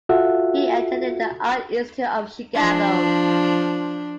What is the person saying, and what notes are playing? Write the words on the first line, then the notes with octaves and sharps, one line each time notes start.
He attended the Art Institute of Chicago.
F4 F#4 A4 E5 F#5
F3 D4